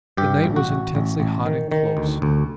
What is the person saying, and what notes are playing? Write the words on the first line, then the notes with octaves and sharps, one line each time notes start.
The night was intensely hot and close.
G2 G4
A1
F#4
A1
A1
A1
D#3
D#3
D2
D2